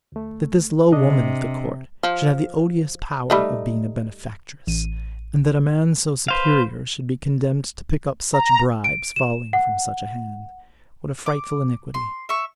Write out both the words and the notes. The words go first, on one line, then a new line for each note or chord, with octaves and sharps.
That this low woman of the court should have the odious power of being a benefactress, and that a man so superior should be condemned to pick up such bribes falling from such a hand, what a frightful iniquity!
D2 A3
C3 D4 D#5
F3
G3 A3 D#4
A1 D#7
B4 C5 F5
A#5
D7
E7
F#5
D6
C6
E5 C#6